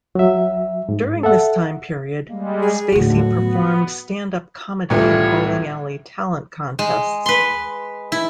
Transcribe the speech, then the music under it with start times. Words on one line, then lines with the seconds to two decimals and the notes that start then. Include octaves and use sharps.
During this time period, Spacey performed stand-up comedy in bowling alley talent contests.
0.15 F#3 E5
0.89 G#2
1.23 A4 E5 F#5
2.29 G3 G#3 A#3
2.61 G#4
2.92 D#2 A2 D3 F#3 F#4
3.37 B3
4.90 C2 A2 C3 E3 A3 B3 F4 C#5
6.79 G#3
7.26 B4 C6
8.12 E4